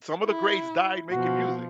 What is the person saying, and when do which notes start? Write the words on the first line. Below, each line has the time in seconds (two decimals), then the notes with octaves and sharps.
some of the greats died making music,
0.26 E4
1.11 B2 F3 F#4